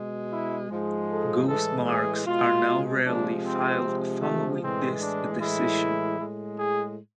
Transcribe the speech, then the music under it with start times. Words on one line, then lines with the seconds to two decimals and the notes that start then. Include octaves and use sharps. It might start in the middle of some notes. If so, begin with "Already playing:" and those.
Ghost marks are now rarely filed following this decision.
Already playing: B2 G#3
0.30 E4
0.69 G#2 F3 G#3
1.09 A4
1.47 A2 E3 G#3 A4
1.87 G#4
2.26 B2 G#3 F4
3.04 C3 F3 G#3 D4
3.44 C4
3.83 C3 F3 G#3
4.22 A3
4.61 A2 E3 G#3 C4
5.01 D4
5.40 A2 E3 G#3 E4
6.19 A2 G#3
6.57 G#4